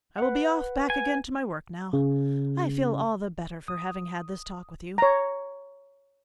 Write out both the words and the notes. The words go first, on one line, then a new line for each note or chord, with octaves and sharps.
I will be off back again to my work now; I feel all the better for having had this talk with you.
B4 F#5
G#5
C#3
D#6
C#5 A#5